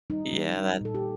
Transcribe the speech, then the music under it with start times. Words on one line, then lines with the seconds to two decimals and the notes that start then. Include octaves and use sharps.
Yeah, that
0.10 G3 D#4
0.33 G3
0.57 G3
0.81 A#2 A4
0.95 G4